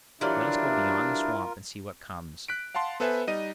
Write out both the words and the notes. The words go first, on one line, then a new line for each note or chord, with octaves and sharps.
Let us go beyond the swamp and see what comes.
E3 F#3 G3 D4 E4 F4 A#4
F#6 B6 D7
F5 F#5 A5 C6
B3 A4 B4 C5 E5 G#5
G3 D#4 D#5 D#7